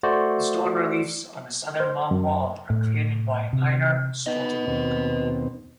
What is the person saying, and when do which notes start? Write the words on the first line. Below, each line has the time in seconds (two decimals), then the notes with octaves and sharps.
The stone reliefs on the southern long wall are created by Einar Stoltenberg.
0.03 A3 F#4 C5 D5
1.80 C5
2.11 F#2
2.70 A2
3.53 C3
4.26 B3 D#4 B4 D#5
4.67 D#2 B2 C4